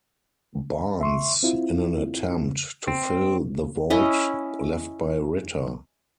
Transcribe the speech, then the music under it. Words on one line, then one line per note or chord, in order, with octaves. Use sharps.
Barnes, in an attempt to fill the void left by Ritter.
E5 C6 C#6
C4 E4 F4
C4
C#4 E4 D#5